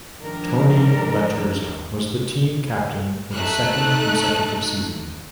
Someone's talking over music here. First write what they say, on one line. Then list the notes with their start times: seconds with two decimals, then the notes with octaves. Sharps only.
Tony Laterza was the team captain for the second consecutive season.
0.20 G#2 D#3 F3 D4 A#4
3.34 A3 D#4 F#6